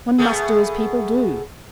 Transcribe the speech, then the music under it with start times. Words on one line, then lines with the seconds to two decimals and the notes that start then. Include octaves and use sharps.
One must do as people do.
0.18 A3 B3 G#4